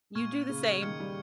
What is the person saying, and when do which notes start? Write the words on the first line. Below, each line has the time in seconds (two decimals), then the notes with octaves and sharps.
You do the same.
0.15 A#2 C#6 F6 G#6
0.49 C#3
0.82 D#3 F6 G#6 C#7
1.00 G3